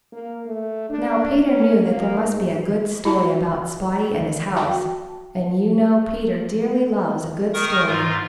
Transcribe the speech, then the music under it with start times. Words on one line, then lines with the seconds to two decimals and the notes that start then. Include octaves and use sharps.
Now Peter knew that there must be a good story about Spotty and his house, and you know Peter dearly loves a good story.
0.12 A#3
0.46 A3
0.89 D4
1.41 C#4
1.81 A#3
2.18 G#2
3.05 E4 F#4 A5
4.56 F#4 F5 G5 A5
7.54 D#3 A#4 C#6 D#6
7.87 G#2 F4